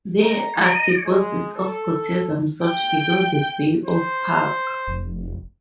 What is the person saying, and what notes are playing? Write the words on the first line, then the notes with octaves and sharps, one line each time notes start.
There are deposits of potassium salt below the Bay of Puck.
A#5
G#3
A4
G5
C5
F1